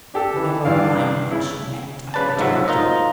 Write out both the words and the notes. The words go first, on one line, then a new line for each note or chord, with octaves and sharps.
"Never mind what you meant!" I interrupted.
D4 G4 A4
E3
G2 E3 D4 F5
C#3 E4
C#3 B4 D5 A5
D#2 G#2 F3 F#3 E5
D#4 F4 A#4 D#5